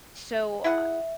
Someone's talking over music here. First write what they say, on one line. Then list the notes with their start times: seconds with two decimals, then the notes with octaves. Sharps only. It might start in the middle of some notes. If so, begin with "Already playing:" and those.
so, uh,
0.64 E4 G#4 E5 F#5